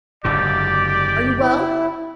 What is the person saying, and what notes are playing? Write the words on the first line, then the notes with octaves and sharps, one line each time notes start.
"Are you well?"
F#1 G#2 D3 G4 D5
E4